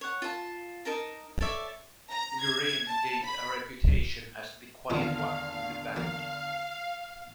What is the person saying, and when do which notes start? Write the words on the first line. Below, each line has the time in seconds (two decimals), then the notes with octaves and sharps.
Graham gained a reputation as 'the quiet one' in the band.
0.01 C#5 F#5
0.22 F4 A5
0.85 D#4 A#4 A5 A#5
1.41 A4 C#5 D5 E5
2.10 A#5
2.42 G#6
2.86 A5
3.23 B5
4.90 E2 D3 D#3 B3 C4 F4 F5
5.96 F#3 A#3 F5